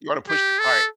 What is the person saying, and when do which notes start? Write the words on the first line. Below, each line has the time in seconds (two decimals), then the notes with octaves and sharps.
You oughta push the cart.
0.29 G4
0.59 A4